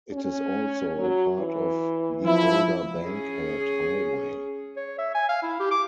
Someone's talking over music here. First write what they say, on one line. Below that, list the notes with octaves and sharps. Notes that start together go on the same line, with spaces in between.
It is also a part of the older Bankhead Highway.
C#4
F#3
E3
F3 E4
C#4 G#4
C#5
E5
G#5
F5
E4
G4
D6